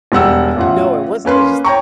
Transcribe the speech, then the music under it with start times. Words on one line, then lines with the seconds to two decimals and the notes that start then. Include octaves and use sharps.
No, it wasn't the just
0.12 E1 G3 F#5 E6
0.56 A1 F4 F#5
1.25 A#3 C#4 B4 C6
1.64 C#5 G5 A#5 C#6